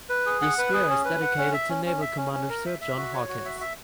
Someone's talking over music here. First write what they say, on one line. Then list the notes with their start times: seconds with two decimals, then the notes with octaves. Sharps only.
The square is dedicated to naval commander Sir John Hawkins.
0.09 B4
0.26 G#4
0.42 F#5
0.58 B4
0.74 G#4
0.90 C#4
1.05 B4
1.22 F#5
1.38 C#4
1.53 E5
1.69 C#4
1.86 C#4
2.01 E5
2.17 C#4
2.33 C#4
2.49 A#4
2.66 E5
2.81 E5
2.97 F#4
3.13 C#5
3.29 F#4
3.45 E5
3.61 E5